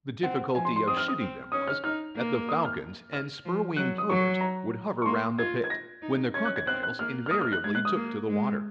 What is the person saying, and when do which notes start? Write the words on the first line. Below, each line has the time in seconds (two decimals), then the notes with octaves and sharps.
The difficulty of shooting them was, that the falcons and spurwing-plovers would hover round the pit, when the crocodiles invariably took to the water.
0.23 C4 F#5
0.55 F3 G#5
0.65 C6
0.76 C6
0.87 C4 D#6
0.97 F6
1.08 D#6
1.19 C4
1.52 C#4 D#6
1.68 F6
1.83 D#4 F6
2.16 A#3
2.49 D#6
2.65 F6
3.13 F6
3.45 F3
3.76 F#3 F#6
3.98 D#6
4.09 F#3 C#6
4.41 A#5
5.02 C#6
5.06 A#3 C6
5.38 F4 G#6
5.64 G#6
5.70 A#6
6.02 D#4
6.34 C#4 G#6
6.45 F#6
6.56 G#6
6.66 C4 F#6
6.83 F#6
6.99 A#3 F6
7.26 F6
7.31 A#3 D#6
7.41 F6
7.52 F#6
7.63 G#3 G#6
7.75 F#6
7.85 D#6
7.96 A#3
8.28 G#3